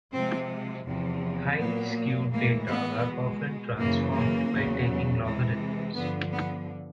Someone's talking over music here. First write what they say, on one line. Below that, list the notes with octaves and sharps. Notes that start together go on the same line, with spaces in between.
Highly skewed data are often transformed by taking logarithms.
C3 F3 G#3 C4
E2 C3 F3
A#2 F#3 A#3 B3
A2 E3 G#3 A#3
B3
B2 G#3
F#2 C#3 E3 A#3
A#3
E2 C#3 F#3
C3 E3 G#3
G2 D3 F3 B3
B3